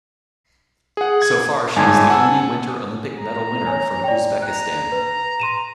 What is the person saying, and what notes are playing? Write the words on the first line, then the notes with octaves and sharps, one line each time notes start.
So far she is the only Winter Olympic medal winner from Uzbekistan.
G#4 F#5
G#6
G1 G#2 G#5 A5 G#6
F#5 E6
A#5
C#5 G#5
D5 G5
A#5 F#6
B4
C6 D#7 E7